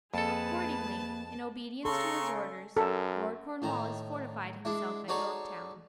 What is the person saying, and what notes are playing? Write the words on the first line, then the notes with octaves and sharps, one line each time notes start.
Accordingly, in obedience to his orders, Lord Cornwallis fortified himself at Yorktown.
F2 A#3 G#4 A4 B4 A5
C#3 A4 A#5 C6 C#6
F#2 A4
A2 D#3 A#5
G#3 D4 E4
D#4 F#4 G#4 A4 C#5 D5